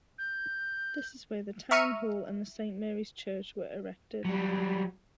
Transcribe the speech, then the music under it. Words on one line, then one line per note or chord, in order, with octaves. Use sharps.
This is where the town hall and the Saint Mary's Church were erected.
G6
E5 A#5 C#6 F6 C#7 D#7
F#3 G3